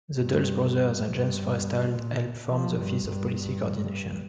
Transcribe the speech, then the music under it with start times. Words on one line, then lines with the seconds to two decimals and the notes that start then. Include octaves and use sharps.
The Dulles brothers and James Forrestal helped form the Office of Policy Coordination.
0.18 G2
1.04 G2
1.90 A#2
2.48 F3
2.77 G2
3.06 G2
3.35 G2